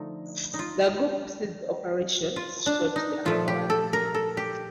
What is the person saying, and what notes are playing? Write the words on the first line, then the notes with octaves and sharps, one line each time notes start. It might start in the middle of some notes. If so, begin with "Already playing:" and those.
The group ceased operations shortly afterwards.
Already playing: D3 F3 A3 D#4
D#4
F4
F4
D4
D#4
A#2 F3 A3 F4
G4
A4
A#4
A4
G4